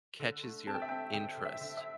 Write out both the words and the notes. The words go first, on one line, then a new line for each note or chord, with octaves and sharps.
catches your interest,
D3
A3
C4 A5
G5
E5
C4 G5
D3 G5
D3
E5
D3
E5